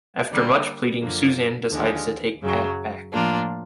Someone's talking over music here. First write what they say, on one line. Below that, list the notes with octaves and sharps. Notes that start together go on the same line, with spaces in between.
After much pleading, Susan decides to take Pat back.
D3 G3 A#3
F#2 D3 F3 A#3
D#2 D3 F3 G#3
F#2 C#3 F#3
A2 F3 A#3 D4 F4